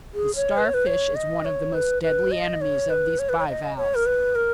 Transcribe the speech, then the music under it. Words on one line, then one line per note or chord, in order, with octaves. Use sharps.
The starfish is one of the most deadly enemies of these bivalves.
G#4
C#5
B4
C#5
B4
C#5
D#5
C#5
B4
B4
D#5
C#5
B4
C#5
B4
C#5
D#5
C#5
A#4
B4
A#4